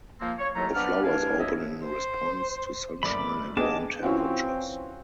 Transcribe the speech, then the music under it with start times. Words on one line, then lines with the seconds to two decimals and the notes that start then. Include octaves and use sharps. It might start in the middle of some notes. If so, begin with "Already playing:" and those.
The flowers open in response to sunshine and warm temperatures.
0.20 F3 A#3 C4
0.38 C#5
0.55 D#2 A2 F#3 A3 F4 A#5
0.74 B3 C4 D4 D5 F6
1.03 C2 B2 D4 F5 G#5
1.39 F#2 F#3 C4 E4 D#5 E5
1.84 C5
3.03 F#1 A3 D5 B5 D6
3.57 B3 D4 G#4 D#5 G5 A5 D6
4.03 E3 C4 C#4 F4 F#4 F5